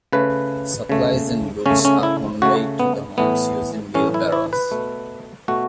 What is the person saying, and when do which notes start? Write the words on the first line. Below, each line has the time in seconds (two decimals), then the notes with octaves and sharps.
Supplies and goods are conveyed to the homes using wheelbarrows.
0.13 C#3 A3 B4
0.89 C#3 A3
1.66 C#3 A3 C#4
1.85 C#4
2.03 E4
2.42 C#3 A3 F#4
2.80 B3
3.18 A2 E3 A3 B3
3.94 A2 E3 A3 C#4
4.14 E4
4.32 E4
4.53 B4
4.71 B2 A3
5.48 B2 A3 F#4